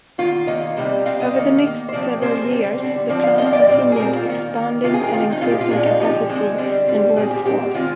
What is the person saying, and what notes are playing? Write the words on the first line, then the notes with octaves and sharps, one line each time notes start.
Over the next several years the plant continued expanding and increasing capacity and workforce.
D#3 A#3 F4
D#3 A#3 D#5
C3 G3 C4
C3 G3 C4 F5
D#5
D#3 A#3
D#3 A#3
C5
C3 F3 C4 D5
C3 F3 G#3 C4 C5
D3 G3 C4
D3 G3 C4
D3 F3 C4 D5
F5
D3 F3 C4 D#5
D5
A#2 G3 C4
G#4
A#2 G3 C4 A#4
A#4
F4
D#3 A#3
D#3 A#3
C3 D#3 G#3 C4 F4
G#4
A#4
C3 D#3 G#3 C4 F4
D#4
A#2 G#3 C4 F4
G4
F4
A#2 G#3 C4 D4
D#4
D3 F3 G#3 C4 G4
D3 F3 G#3 C4
D3 G3 C4
D3 G3 C4
A#2 G#3 C4 G#4
G4
A#2 G#3 C4 G4
D#3 G#3 C4 F4